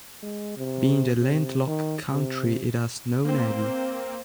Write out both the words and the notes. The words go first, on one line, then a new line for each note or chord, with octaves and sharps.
Being a landlocked country, it has no navy.
G#3
C3
C3
D#3
C3
A#3 C4 C5